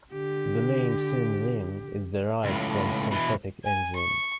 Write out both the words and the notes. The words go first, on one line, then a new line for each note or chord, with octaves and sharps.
The name synzyme is derived from synthetic enzyme.
D3 G4
C#2 A2
B2 E3
G#5
C#6